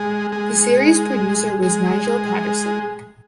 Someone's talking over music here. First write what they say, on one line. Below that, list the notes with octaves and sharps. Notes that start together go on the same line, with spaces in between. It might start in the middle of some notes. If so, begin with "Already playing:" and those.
The series producer was Nigel Paterson.
Already playing: G#3
G#3
G#3